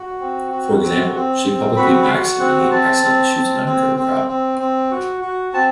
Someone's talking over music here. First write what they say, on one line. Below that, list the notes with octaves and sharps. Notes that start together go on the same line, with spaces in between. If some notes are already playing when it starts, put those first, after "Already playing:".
For example, she publicly backs him when he accidentally shoots an undercover cop.
Already playing: F#4
C4
F#4
C4
C4
C4
F#4 B5
B5
F#4 C6
C4 F#5
C4 A5
C4
C4
C4
C4
C4
C4
F#4
F#4
C4 A5